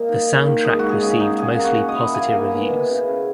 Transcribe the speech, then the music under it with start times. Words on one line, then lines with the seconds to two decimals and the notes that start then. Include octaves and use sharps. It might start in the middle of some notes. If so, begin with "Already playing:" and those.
The soundtrack received mostly positive reviews.
Already playing: A#2 A#3 D#5
0.09 D#4
0.26 A#3
0.46 D#3
0.64 G#3 G#4
0.79 D#4 F#4
0.89 G#4
1.02 C#3
1.20 D#4
1.39 A#2 G#4
1.58 A#3
1.64 F#4
1.76 A#2
1.88 D#5
1.95 E4
2.14 A#3 G#5
2.32 A#3
2.52 B2
2.70 B2
2.89 C#3
3.07 C#3